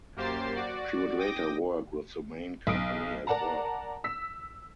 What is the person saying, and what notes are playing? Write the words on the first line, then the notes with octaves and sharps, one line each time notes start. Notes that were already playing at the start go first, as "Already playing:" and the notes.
She would later work with the main company as well.
F#2 A#3 G4 C5 A6 C7
F#4 D5
G5 D6 D#6 A#6
B1 D#6 D7
A#4 D5 F#5 A5 A#5
E6 B6